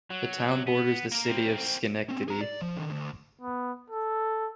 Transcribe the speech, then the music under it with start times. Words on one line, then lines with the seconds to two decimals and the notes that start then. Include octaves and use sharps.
The town borders the city of Schenectady.
0.10 F#3
0.67 B3
1.12 A#3 A#4
1.28 C4 A#4
2.09 C4 C#4
2.28 G#4 A#5
2.41 D5
2.62 F3
2.77 D3 D#3
2.91 D2
3.42 B3
3.90 A4